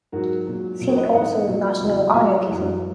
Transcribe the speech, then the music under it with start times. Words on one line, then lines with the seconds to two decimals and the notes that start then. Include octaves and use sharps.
See also National anarchism.
0.12 G#2 F#3 F#4 A#4
0.46 A#2 F#3
0.79 A#2 F#3
0.88 A#4 C#5
0.97 B4 D#5
1.04 C#5 E5
1.13 G#2 E3 D#5 F#5
1.47 A#2 F#3
1.80 E2 C#3 F#3
2.14 A#2 F#3 E5 G#5
2.24 D#5 F#5
2.47 F#2 E3